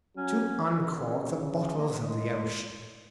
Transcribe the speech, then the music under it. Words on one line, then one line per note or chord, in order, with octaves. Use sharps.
"To uncork the bottles of the ocean."
F#3 C#4
C#3
A#3
G#3